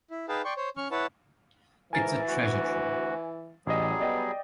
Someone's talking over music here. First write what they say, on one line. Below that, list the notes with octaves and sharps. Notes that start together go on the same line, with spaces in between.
It's a treasure trove.
E4
D#4 G#4 B4 F5 G5 A5
D5 G5 C6 C#6
C5 C#5
C#4 C#6 F6
E4 B4 C#5 F#5 A5
G#2 E3 A#4 G#5 A6
D2 F#4
A1 F#3 G3 G#4 D#5
B3 D5 D#5 G5